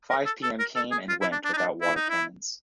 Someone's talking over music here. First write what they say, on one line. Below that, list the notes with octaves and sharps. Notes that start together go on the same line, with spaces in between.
Five p.m. came and went without water cannons.
A#4
A4
A4
A#4
A4
G#4
F4
E4
D4
D4
D#4
D4
E4
D#4
E4